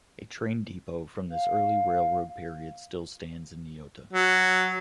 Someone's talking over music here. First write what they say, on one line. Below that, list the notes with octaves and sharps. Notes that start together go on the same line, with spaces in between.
A train depot from this early railroad period still stands in Niota.
F5
F#3